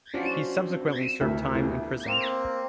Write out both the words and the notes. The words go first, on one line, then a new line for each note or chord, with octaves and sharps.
He subsequently served time in prison.
C#4 D4 F4 F#4 C5 D5
C4
D2 E4 A#4 E5
B3 E4 F4 G4 A4
A#3 C4